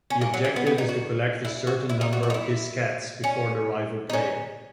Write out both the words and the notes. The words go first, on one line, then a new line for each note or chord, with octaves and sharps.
The objective is to collect a certain number of diskettes before the rival player.
C#4
A#3
F#3
A#3
B3
B3
D#4
F#4
E4
F#4
E4
D#4
F#4
F#4
D#4
E4
C#4
D#4
C#4